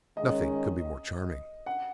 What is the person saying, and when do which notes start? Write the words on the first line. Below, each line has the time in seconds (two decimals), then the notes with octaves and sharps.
Nothing could be more charming.
0.17 D#3 G#3 C#4 D#5
1.66 F#5